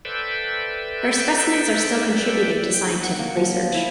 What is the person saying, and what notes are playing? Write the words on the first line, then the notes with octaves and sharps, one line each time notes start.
Her specimens are still contributing to scientific research.
A4 B4 C5 D5 E5 G5
G5
D#4
F#5
A#3
F3
E4